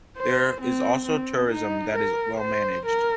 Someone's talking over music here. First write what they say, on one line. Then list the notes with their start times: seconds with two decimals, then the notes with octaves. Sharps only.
There is also tourism that is well managed.
0.17 C5
0.61 C4
1.06 C4
1.50 D#4
1.95 A#4
2.40 C5
2.85 A#4